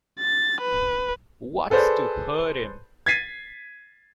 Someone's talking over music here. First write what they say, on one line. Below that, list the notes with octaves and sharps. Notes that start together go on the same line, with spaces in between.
What's to hurt him!
A6
B4
G#4 A4 B4 C5 D5
G#6 A6 B6 C7 D#7